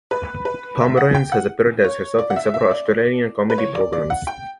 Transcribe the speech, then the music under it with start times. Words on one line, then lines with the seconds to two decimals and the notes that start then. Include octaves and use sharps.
Pomeranz has appeared as herself in several Australian comedy programs.
0.11 B4
0.45 B4
0.81 E5
0.97 F#5
1.15 G5
1.32 F#5
1.84 C#5
2.19 D5
2.30 F#5
2.36 E5
2.54 E5
2.71 D5
3.50 B4
3.58 C#5
3.75 D5
3.93 D5
4.10 F#5
4.27 G5